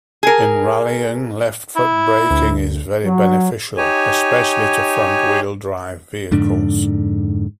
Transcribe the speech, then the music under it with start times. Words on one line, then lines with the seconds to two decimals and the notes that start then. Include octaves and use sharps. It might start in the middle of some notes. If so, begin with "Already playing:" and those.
In rallying left-foot braking is very beneficial, especially to front-wheel drive vehicles.
0.23 G#4 A#4
1.76 E4
2.30 D2
3.05 F#3
3.77 D#4 G4 C#5 G#5
6.31 F2 G#2 D3 D4